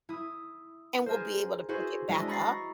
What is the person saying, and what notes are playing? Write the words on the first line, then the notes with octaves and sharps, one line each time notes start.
and we'll be able to pick it back up.
E4 D#6
G#4 A#4 C5
E4 F#4 G#4 C5
G#3 D4 E4 D#5
A#5 B5 C#6 A6 A#6 C7